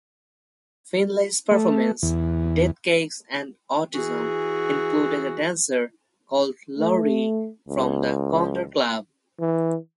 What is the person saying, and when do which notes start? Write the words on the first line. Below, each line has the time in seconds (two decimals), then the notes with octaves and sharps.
Finley's performance "Deathcakes and Autism" included a dancer, called "Laurie", from the Condor Club.
1.51 A3
2.03 E2
3.94 E3 F#4 G#4
6.78 A3
7.69 C#2
9.40 E3